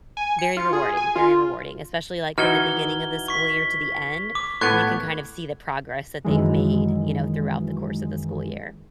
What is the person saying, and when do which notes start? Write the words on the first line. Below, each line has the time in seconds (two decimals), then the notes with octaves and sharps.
Very rewarding, very rewarding, especially, like, from the beginning of the school year to the end when you can kind of see the progress that they've made, you know, throughout the course of the school year.
0.17 G#5
0.39 C#7
0.57 F4
0.73 G#4
0.97 G#5
1.16 F4
2.38 E3 D#4 F#4 F6 G#6 G7
3.28 C#6 B6
4.35 D6
4.61 A2 B3 C#6 F#6 G#6
6.24 F#2 D#3 E3 G#3